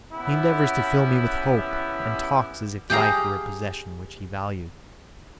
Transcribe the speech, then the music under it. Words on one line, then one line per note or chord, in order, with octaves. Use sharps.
He endeavours to fill me with hope and talks as if life were a possession which he valued.
B3 C#4 E4 G4
G4 G#4 F5 A#5